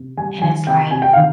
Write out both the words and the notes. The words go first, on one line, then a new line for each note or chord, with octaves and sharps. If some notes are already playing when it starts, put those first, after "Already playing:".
and it's like
Already playing: C3
G3 G#5
D#3 G#5
C3 G5
C3 G#5
G5
D#3 F5